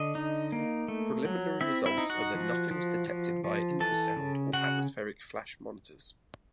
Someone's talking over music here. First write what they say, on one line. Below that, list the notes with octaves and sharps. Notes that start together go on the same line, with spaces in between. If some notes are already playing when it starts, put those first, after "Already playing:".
Preliminarily results are that nothing was detected via infrasound or atmospheric flash monitors.
Already playing: D3 D#5
D#4
A#3
A3
F#3
C4 E4 E5
E4 E5
D#4
F#4 F#5
F3
F3
F3
F3
E3 A4 A5
C#3
C#3 F#4 F#5